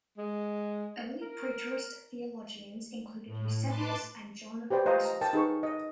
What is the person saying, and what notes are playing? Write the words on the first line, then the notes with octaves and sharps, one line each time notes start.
Early Preterist theologians included Eusebius and John Chrysostom.
G#3
A#4
A2
B4 A5 C6 D6
G4 B4 C5 D5 G5
F4 C5 D#5 F5 A#5
A#5
A#4 G5 A5
D#4 G#4 B4 C#6
D#5